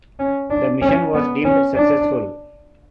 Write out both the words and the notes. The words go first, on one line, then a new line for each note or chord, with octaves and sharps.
The mission was deemed successful.
C#4
D4
C#4
B3
C#4
D4